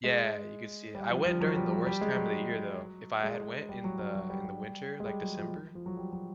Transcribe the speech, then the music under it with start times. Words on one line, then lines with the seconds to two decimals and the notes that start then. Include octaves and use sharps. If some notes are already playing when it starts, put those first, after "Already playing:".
Yeah, you could see it. I went during the worst time of the year though. If I had went in the, in the winter, like, December,
0.04 G#3
0.95 G3
1.10 F3
1.25 F3
1.41 F#3
1.55 G3
1.71 F#3
1.86 G3
2.01 G#3
2.17 F#3
3.23 G#3
3.69 G3
3.84 F#3
3.99 F#3
4.15 F#3
4.30 G3
4.45 G3
5.00 G#3
5.05 G3
5.21 F#3
5.37 F3
5.75 F3
5.86 F#3
5.97 G3
6.13 F#3